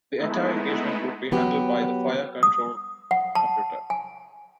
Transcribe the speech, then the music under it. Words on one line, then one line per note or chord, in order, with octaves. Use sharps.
The entire engagement would be handled by the fire control computer.
G#3 A3 B3 D#4 E4
F#3 B3 G4
D#6
F#5
A5
G#5